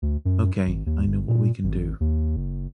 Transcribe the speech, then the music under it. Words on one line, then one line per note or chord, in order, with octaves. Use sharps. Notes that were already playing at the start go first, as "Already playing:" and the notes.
OK, I know what we can do.
D2
F#2
G#1
D#2
G1
A#2
G#1
D#2
F#1